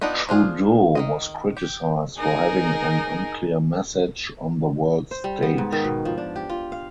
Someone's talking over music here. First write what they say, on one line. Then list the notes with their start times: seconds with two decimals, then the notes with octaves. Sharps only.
Trudeau was criticized for having an unclear message on the world stage.
0.01 B3 D4 D#4 F4 D5
0.29 F3 D4 F4 G#4
0.95 D#3 C4 D#5
1.57 G4
2.17 D#4 G#4 A#4
5.11 C5
5.24 G3
5.43 B3
5.58 G#2
5.72 D#3
5.84 B2
6.05 F3
6.18 D4
6.36 G4
6.49 F4
6.72 F5